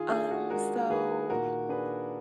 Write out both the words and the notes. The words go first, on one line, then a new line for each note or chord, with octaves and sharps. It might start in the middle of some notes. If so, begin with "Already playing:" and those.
Um, so
Already playing: D#3 F4 G#4
D4 F4 G#4
F#4
G#3 F#4 A#4
D#3 G#4 B4
A#2 F#4 A#4
D4 G#4 B4